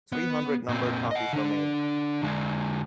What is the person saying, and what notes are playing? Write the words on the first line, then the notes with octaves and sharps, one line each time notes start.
Three hundred numbered copies were made.
B3
A#2 C4
D#5 F#5
D3 D4
D3 G#3